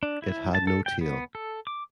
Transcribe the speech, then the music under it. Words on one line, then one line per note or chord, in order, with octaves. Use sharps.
It had no tail.
D4
E4
A5
A4
G5
B3
A4
D6